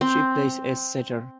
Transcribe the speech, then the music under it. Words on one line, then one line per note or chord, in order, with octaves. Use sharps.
She plays as setter.
C4